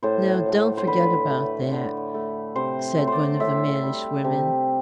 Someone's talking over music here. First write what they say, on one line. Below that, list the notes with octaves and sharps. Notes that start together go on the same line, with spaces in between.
"Now, don't forget about that," said one of the mannish women.
A2 C5
F#3 A3
C5
D3 B4
A3
D3
A3
C3 C5
F#3 A3
C5 D5
A2 E5
G3
C3